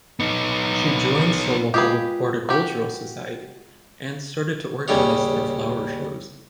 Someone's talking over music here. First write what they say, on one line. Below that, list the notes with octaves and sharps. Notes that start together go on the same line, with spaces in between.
She joined Solihull Horticultural Society and started to organise their flower shows.
B3 D#4
G#3 F4 G4 G#4 B4
F#4 G4
D#2 C#3 G3 C#5